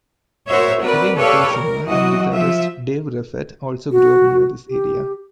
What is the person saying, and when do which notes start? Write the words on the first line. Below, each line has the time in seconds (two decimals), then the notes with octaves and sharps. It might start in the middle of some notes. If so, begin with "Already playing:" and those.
Heavy metal singer and guitarist Dave Reffett also grew up near this area.
0.48 F#4 A#4 C5 C#5 E5
0.80 C4 F#4 A#4 B4 D5
1.15 G4 A4 B4 C#5 D5 F5
1.53 A#4
1.87 E3 F#3 F#4 D#5
2.32 F3 F4 E5
3.92 F#4
4.69 G4